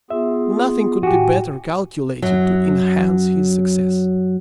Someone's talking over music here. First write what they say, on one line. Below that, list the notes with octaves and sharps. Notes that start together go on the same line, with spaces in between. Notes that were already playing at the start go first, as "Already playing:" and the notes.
Nothing could be better calculated to enhance his success.
B3 F4 G#4 E5
A2 F#4 G4 G#5
F#2 F#3